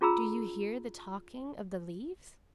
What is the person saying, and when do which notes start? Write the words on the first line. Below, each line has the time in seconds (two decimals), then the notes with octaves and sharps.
Do you hear the talking of the leaves?...
0.01 C#4 F4 G#4 A#5 B5 E6